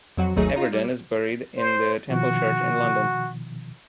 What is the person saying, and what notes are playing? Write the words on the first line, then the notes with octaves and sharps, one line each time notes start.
Everdon is buried in the Temple Church in London.
F2 F#3 F#4
G#1 D#2 F#3 A3 D#4 G#4
D#4 F4
G3
C5
B2 D#3 F3 F#4